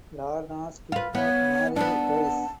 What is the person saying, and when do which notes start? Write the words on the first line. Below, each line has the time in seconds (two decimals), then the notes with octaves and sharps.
Lorna Skidmore married twice.
0.92 F4 B4
1.15 B3 C#5
1.76 B3 D4 A5